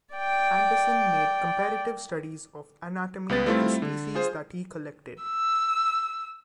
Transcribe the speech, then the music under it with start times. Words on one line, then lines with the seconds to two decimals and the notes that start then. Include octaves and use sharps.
Anderson made comparative studies of anatomy of the species that he collected.
0.15 D5 G5
3.29 C#2 B3 B4 A6
3.46 G3 A3 C4 E4 F4
3.82 D3
4.15 F4 G#4 C5
5.23 E6